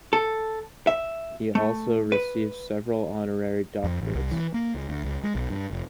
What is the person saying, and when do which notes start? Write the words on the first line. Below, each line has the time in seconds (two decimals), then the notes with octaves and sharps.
He has also received several honorary doctorates.
0.13 A4
0.87 E5
1.55 A3
2.12 B4
3.84 F2
4.02 A1
4.15 C2
4.32 E3
4.54 A#3
4.74 C#2
4.89 D2
5.04 C#2
5.23 G#3
5.35 B1
5.50 G2
5.71 F1